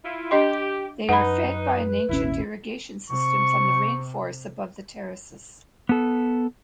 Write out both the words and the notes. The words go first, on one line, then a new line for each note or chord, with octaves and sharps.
They are fed by an ancient irrigation system from the rainforests above the terraces.
E4 F4
D4 G4 D#5 C6
F#2 D#4 B4 F#5 B5
D#1 G#1 C#4 E4
C3 C#6
B3 A4